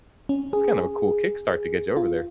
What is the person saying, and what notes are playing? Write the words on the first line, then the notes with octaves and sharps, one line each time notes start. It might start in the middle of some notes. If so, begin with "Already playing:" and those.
that's kind of a cool kick start to get you over there.
C#4
G#4
F4